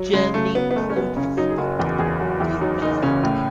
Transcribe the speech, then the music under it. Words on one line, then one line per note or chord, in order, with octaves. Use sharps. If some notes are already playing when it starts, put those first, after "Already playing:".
Germany protested the arrest.
Already playing: F#3
C#3 G#3
C#3 A3
F#3 B3
B3
F#1 A3
C#4
F#3 B3
C#3 C#4
F#3 D#4
G#4
F#1 F#4
E2 F#4
E2 G#4
F#3 F#4
E2 E4
F#3 D#4
F#1 D#4
C#3 C#4
A2